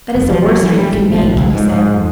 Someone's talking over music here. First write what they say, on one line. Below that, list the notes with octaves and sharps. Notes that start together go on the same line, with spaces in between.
"That is the worst threat you could make," he said.
F1
F3
F#3
E3
G3
G#1
F3
B1
C#2
G#2
G#2
F2